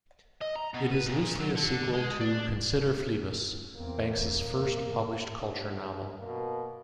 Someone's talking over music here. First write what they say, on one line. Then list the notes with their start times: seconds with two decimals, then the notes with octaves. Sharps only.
It is loosely a sequel to "Consider Phlebas", Banks's first published Culture novel.
0.41 D#5
0.56 A#5
0.74 B2
0.92 B4
1.06 A#2
1.40 F#3
1.56 D3
1.94 G#3
2.21 D4
3.76 E2 A#3 C4
4.39 A#2
4.78 E2 G#2
5.40 G2
6.21 B2 A#3